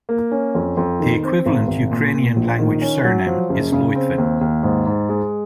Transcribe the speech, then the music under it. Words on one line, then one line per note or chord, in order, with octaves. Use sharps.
The equivalent Ukrainian-language surname is Lytvyn.
A#3
C#4
F2
F2
D#3
C4
G#1
G#1
A#2
A#2
A#1
D#3
C#4
F#3
F3
F#1
C#3
C4
D#2
D#2
G#2
G#2
G#3